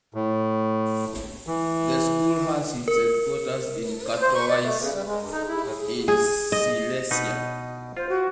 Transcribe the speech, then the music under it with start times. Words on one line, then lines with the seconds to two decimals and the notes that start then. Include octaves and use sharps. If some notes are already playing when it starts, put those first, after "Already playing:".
The school has its headquarters in Katowice, in Silesia.
0.14 A2
1.47 E3
2.88 A#4
4.22 C5
4.35 C#6
4.48 D5
4.62 A3
4.80 C#3
4.94 G3
5.06 G#3
5.20 G2
5.32 D#4
5.48 E4
5.64 A2
6.08 G#4
6.52 D#5
7.11 B2 D#4 B4
7.97 F4 C5
8.09 F#4